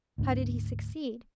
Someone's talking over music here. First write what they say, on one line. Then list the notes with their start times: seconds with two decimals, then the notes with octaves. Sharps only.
'How did he succeed?'
0.18 D2 G#2 C4 D4